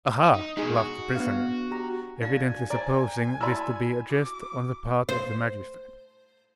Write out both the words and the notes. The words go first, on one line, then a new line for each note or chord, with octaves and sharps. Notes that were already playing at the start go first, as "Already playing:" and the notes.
"Ah, ha!" laughed the prisoner, evidently supposing this to be a jest on the part of the magistrate.
D#4
B2 G#3 D#4 G#4
F#4
B3 D4 F5
G4 A#5
D4 D#4 F#4 F5 G#5
C5 D5 A#5 D6 D7
E4 F#4 D5 A5 B5 C6 E6
F#4 D6
C5